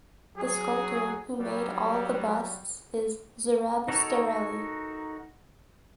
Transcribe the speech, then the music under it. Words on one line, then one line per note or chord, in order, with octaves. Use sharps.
The sculptor who made all the busts is Zurab Tsereteli.
F#3 G#4
F#3 G3
D#4 F#4 A4 A#4 C#5